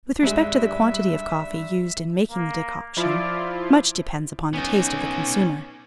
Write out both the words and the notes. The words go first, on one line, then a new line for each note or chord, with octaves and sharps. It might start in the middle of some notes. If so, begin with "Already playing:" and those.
With respect to the quantity of coffee used in making the decoction, much depends upon the taste of the consumer.
G2 G3 G#3 E5
A#3
F3 E4 F4 D5
B3 C#4 D#4